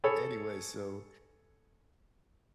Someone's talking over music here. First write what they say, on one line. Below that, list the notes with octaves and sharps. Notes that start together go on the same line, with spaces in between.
anyway, so,
G#4 A4 C#5 B5